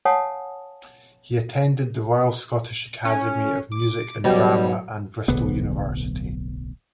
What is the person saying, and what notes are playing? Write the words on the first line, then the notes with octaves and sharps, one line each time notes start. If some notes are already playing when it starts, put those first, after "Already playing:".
He attended the Royal Scottish Academy of Music and Drama and Bristol University.
C#5 F5 F#5 G#5 A5 D#6
C#4
D6
F#2 B2 G3
D1 B1 D3 B3